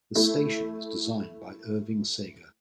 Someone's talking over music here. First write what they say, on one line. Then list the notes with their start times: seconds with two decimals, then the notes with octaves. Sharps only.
The station was designed by Irving Sager.
0.15 A3 E4